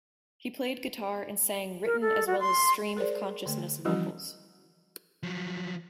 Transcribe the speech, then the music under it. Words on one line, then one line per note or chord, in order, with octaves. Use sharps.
He played guitar and sang written as well as stream of consciousness vocals.
A#4
A4
F#4
C6
G#4 A#4 C5 D5
D3 A3
E3 F3 G3 C#4 E4 F#4
F3 F#3